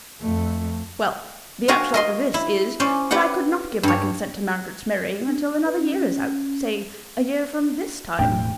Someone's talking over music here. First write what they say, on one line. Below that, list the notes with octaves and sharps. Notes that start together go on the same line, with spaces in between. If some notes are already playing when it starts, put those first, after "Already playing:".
Well: the upshot of this is, that I could not give my consent to Margaret's marrying, until another year is out--say a year from this time.
F2 A3
F4 F#4 A#4 F5 G#5
A#4 D#5 C6
E4
C#4 C5 D5
G4 B4 D5 F#5
G2 C#5
D4
B4
C#4
E1 A2 D4 G5